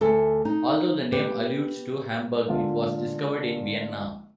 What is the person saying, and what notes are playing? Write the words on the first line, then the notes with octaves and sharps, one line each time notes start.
Although the name alludes to Hamburg it was discovered in Vienna.
D2 A4 E5 G#5
D#4
B3 G4
D3 G#3 B3 F4